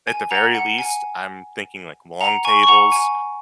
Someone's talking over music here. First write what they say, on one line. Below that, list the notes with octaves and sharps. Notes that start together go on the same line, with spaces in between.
at the very least, I'm thinking like long tables,
G#5
F#5 A#5
F#5
G#5
F#5 A#5
G#5 C#6
C#6
F#5 A#5
G#5